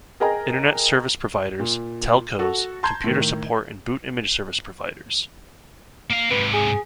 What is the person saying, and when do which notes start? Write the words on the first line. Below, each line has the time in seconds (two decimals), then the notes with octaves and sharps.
Internet service providers, telcos, computer support and boot image service providers.
0.20 G#4 A#4 D#5 G5 G#5 A#5
1.60 A#2
2.39 F#4 A4
2.83 A5 A#5 C6 G6 G#6
3.04 A2 D#3
6.10 A#3 F5
6.31 G#2 C3 B4
6.53 G#4